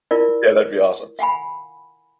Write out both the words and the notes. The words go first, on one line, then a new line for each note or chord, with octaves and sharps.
yeah that'd be awesome.
E4 F4 A#4 D5
F5 F#5 G#5 B5